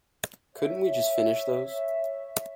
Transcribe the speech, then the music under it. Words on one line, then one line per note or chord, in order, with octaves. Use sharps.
Couldn't we just finish those?
C#5 E5